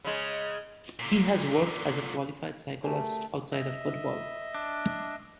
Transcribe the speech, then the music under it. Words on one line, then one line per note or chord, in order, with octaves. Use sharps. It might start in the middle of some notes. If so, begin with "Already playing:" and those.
He has worked as a qualified psychologist outside of football.
C#3 G#3
A#2 D3
A3 G4 G#4 A#4
D#5 E5
D4